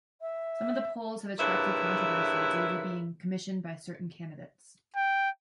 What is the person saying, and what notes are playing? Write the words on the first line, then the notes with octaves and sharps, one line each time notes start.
Some of the polls have attracted controversy due to being commissioned by certain candidates.
E5
G2 A#2 C#3 E4 B4 E5
G5